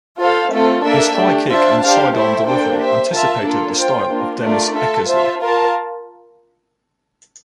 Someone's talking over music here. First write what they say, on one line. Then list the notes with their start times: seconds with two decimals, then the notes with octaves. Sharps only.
His high kick and sidearm delivery anticipated the style of Dennis Eckersley.
0.18 F4 A4 C5 F5
0.51 A3 C4 F4 A4
0.84 A#3 D4 A4 E5
1.16 A3 D4 G4
1.49 D4 F4 C5 E5 A5
1.81 D4 G4 C5 F5
2.14 A3 E4 G4 C5 E5
2.47 A#3 D4 A4 C5 G5
2.79 G4 C5 E5
3.12 F4 A#4 E5 A5
3.44 A#3 D4 F4 A4
3.77 F4 C5 G5
4.09 A#3 D4 F4
4.42 A3 D4 F4 A#4 D5
4.74 F4 A4 E5 A5
5.08 F4 C5 E5 A5
5.40 F4 A#4 F5 A5